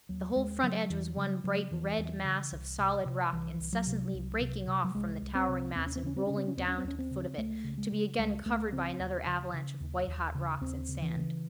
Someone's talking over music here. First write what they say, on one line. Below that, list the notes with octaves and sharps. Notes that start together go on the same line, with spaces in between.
The whole front edge was one bright red mass of solid rock incessantly breaking off from the towering mass and rolling down to the foot of it, to be again covered by another avalanche of white-hot rocks and sand.
D#2 F#3
D#2 G#3
C#3 F#3
E2 E3
C#3 F#3
C#3 F#3
E2 E3
E2
C#3
C2
C3
C3
C2 E3
C2
F#3
C3
C2
C3
C3
F#3
C2 G#3
C2
C4
C3
D#2 C4
C#4
C4
C#3 C#4
C4
C#3 C#4
C4
C#4
D#2 C4
C#4
C4
D#2 C#4
C4
C#3
C#2 A3
C#3
G#3
C#3
C#2 G#3
C#2 A3
C#3 C4
D#2
C#3
C#3
D#2
D#2
C#3
D#2 C4
C#3
E3
C#3